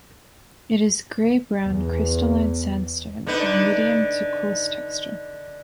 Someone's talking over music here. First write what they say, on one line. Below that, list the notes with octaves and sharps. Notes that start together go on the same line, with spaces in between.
It is gray-brown crystalline sandstone of medium to coarse texture.
E2
D3 D#4 B4